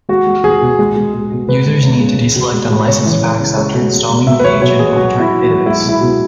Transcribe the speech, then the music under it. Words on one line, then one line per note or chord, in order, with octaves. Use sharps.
Users need to de-select unlicensed packs after installing the agent on a target database.
G#3 F#4
G#3
G#3 G#4
B2
G#3
G#3
G#3
B2
G#3 B4
G#3
C#3
G#3
G#3
B2
G#3
G#3
C#3 C#5
E3
G#3
C#3
G#3 C#5
B2
G#3
G#3
B2 E5
B4
F#3 C#5
B2 C#5
F#3 G#4
B2 F#4
B2
E4
F#3
F#4
F#3
G#3 E4
B2
E4
B2